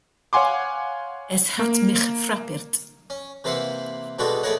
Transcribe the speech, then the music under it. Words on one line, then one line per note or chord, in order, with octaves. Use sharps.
Es hat mich frappirt.
C#5 F5 F#5 G#5 C6 D6
A#3
C#4
C3 E3 A#3 C5 E5 F#5
B2 G3 G#3 D4 F#4 A4
A3 B3 G#4 A#4 C#5 F#5